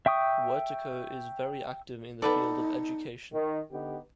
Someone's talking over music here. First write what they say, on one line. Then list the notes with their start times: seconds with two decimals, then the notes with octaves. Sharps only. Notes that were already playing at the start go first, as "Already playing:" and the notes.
Wertico is very active in the field of education.
0.06 E5 G5 C#6 D#6
2.22 B3 D#4 A4 B4 D5
3.33 D#3
3.72 D3 B3 D#4 G4